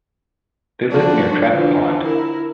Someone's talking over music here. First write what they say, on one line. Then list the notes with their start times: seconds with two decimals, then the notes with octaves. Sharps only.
They lived near Trap Pond.
0.91 F3 D4 F#4
1.47 D3 E3 F3
2.03 E4 A#4